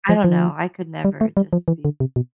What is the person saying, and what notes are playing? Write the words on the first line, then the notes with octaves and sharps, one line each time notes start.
I don't know. I could never just be
F3
F3
G3
A3
G3
F3
E3
D3
C3
B2